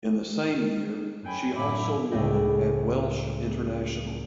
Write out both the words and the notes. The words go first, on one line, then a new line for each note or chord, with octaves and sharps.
In the same year she also won at Welsh International.
F#2 G5 G#5 B5
F#2 A2 D3 E4 B5 D6
C#2 A2 G#3 D5 D#5 G5